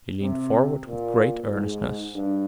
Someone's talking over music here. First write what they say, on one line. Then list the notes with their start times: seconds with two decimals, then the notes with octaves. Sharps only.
He leaned forward with great earnestness.
0.21 C3
0.87 A#2
1.52 G#2
2.16 G2